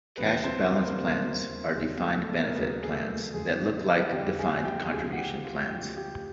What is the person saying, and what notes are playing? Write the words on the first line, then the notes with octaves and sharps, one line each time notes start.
Cash balance plans are defined-benefit plans that look like defined-contribution plans.
E1 D#2 C#3 E3 G3 B3 B4
C4 C5
A#4
B4
A#3 A#4
E1 D#2 C#3 E3 G3
E1 D#2 C#3 F#3 G#3 G#4
A3 A4
A#3 A#4
A#4
E1 D#2 C#3 F#3 B3 B4
G#4
A3 A4
F1 F2 D3 G3 G#3 G#4
E4 E5
F#5
F1 F2 D3 G3 G4 G5
G#4 G#5
G#5
G4 G5
D2 C#3 F3 G#4 G#5
F#5
G4 G5
F4 F5
D2 C#3 F3 G4 G5
G4 G5